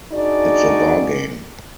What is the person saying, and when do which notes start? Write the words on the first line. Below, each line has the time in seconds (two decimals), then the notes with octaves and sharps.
It's a bargain!
0.13 D4 D#4 F#4 G#4 D5